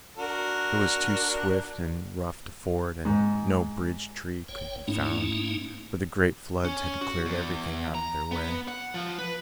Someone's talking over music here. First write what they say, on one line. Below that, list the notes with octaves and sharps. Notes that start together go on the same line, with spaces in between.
It was too swift and rough to ford, and no bridge tree could be found, for the great floods had cleared everything out of their way.
D4 F#4 A#4
G#2
F#1 C#5 G5
G#2 A3 A#3 C#4 D#4 E4
C#4
F#4
E2
A#5
B3
F#5
F3
B4